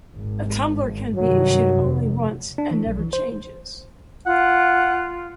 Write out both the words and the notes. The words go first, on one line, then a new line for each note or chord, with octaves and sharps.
A tumbler can be issued only once and never changes.
G#1
G2 C3 D#3 F#3
F1
D4
E3
B1
E3
C5
F4 F#5